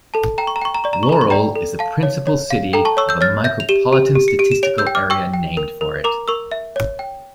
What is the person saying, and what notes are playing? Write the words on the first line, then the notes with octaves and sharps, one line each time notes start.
Laurel is the principal city of a Micropolitan Statistical Area named for it.
A4 A5
G5 A#5
C#6
A#5
G5 C#6
A#5
D5 C#6
A#5
C#6
A4 A#5
C#6
D5 G5 A#5
A4
F5 A5
C#5
C#5
F5
A4 G5 A#5
A5 C#6
C#5 C#6 E6
E6 G6
C#5 F6 A6
E5 G6 A#6
F7
G4 E7 G7
G4
G4
C#7
G4 D7
E7
C#5 D7 F7
E6 G6
G5
D6 F6
G5 C#6 E6
G5
A#4
A#4
A#4 A#5 D6
A#4 C#6 E6
E5
C#5
G5